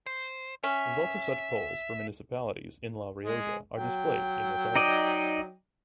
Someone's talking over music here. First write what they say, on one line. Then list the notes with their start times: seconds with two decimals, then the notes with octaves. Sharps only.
Results of such polls for municipalities in La Rioja are displayed in this article.
0.06 C5
0.64 C#4 E5
3.23 G#3 G#4
3.75 F#3 G5
4.76 D#4 D5 D#5